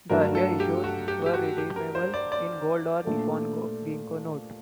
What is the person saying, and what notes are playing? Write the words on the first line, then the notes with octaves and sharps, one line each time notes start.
The earlier issues were redeemable "in Gold or Nippon Ginko Note".
G2 F#3 A3 D4 A#4
A4
G4
F#4
G4
G4
F#4
G4
A#4
C5
D5
D5
A#2 A3 D4 A4